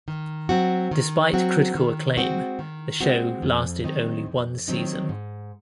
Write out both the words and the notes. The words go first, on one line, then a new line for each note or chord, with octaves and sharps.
Despite critical acclaim, the show lasted only one season.
D#3
F#3 C4 F#4
D#3
F#3 C4 F#4
D#3
G#3 C4 F#4
D#3
G#3 C4 F#4
F2
D#3 F#3 C4 D#4
F2
D#3 F#3 C4 D#4
G#2